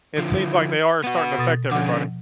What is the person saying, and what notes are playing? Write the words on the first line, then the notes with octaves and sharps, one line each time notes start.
it seems like they are starting to affect everybody.
D3 F3
B3 F#4
B2 D#6 A6
D3 F3 C#4 F#5 D6